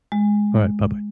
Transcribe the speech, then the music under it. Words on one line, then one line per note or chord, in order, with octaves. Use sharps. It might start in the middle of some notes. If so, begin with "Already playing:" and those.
Alright, bye-bye.
G#3